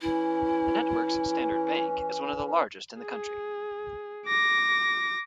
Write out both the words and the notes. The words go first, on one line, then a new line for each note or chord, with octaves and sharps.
The network's Standard Bank is one of the largest in the country.
E3 C#4 E4
G#4
D6 A#6